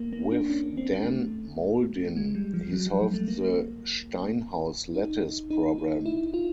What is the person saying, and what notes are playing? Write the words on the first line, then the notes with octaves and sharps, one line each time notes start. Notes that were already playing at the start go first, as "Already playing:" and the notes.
With Dan Mauldin he solved the Steinhaus lattice problem.
Already playing: A#3
A#3
D4
C#4
C4
A3
G#3
G3
F3
F#3
G3
A3
A#3
D#4
D#4
D#4
E4
F4